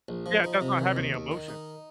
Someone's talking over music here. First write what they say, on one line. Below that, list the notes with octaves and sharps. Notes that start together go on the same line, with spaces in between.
Yeah, it does not have any emotion.
A#1
F3
D#4
C3
D#3
D#2
D#2
D#3
D#4